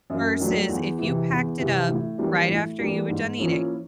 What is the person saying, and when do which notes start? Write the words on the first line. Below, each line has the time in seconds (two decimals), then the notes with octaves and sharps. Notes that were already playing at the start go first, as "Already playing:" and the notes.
versus if you packed it up right after you were done eating,
0.10 F#2
0.39 D#3 F#3 A3 D4
0.69 E2
0.99 C3 E3
1.29 E2
1.59 C3 E3
1.89 A2
2.18 E3 G3 A#3 D4
2.49 A2
2.78 E3 G3 A#3 D4
3.09 G#2
3.38 F3 A#3 C#4 E4